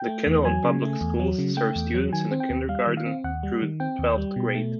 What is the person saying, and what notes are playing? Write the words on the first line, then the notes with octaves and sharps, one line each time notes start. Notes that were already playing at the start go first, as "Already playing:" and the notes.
The Kinnelon Public Schools serves students in kindergarten through twelfth grade.
Already playing: G5
A3
E2
F#3 G#5
C#3
A3
E2
F#3
C#3
A3 G5
E2
F#3
D#3 G#5
C4
G5
D#2
G3 F5
D#3
F5
C4
D#2 F#5
G3
D#3
C4 G5
D#2
G3
B2
A3